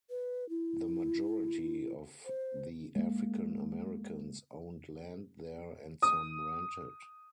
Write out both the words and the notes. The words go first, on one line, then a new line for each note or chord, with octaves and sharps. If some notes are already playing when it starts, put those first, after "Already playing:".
The majority of the African-Americans owned land there and some rented.
B4
E4
C5
G#3 A#3
D#6